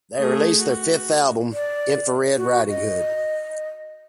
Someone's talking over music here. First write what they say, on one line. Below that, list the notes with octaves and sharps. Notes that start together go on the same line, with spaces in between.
They released their fifth album "Infrared Riding Hood".
A3 G#4
F#4
D5
F#4
D#5